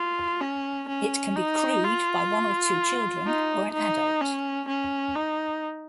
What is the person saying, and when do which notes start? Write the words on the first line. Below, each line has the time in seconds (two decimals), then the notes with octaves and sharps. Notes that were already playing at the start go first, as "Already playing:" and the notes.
It can be crewed by one or two children or an adult.
Already playing: F4
0.41 C#4
0.88 C#4
1.36 D#4
1.84 F4
3.26 D#4
3.73 D#4
4.22 C#4
4.68 C#4
5.15 D#4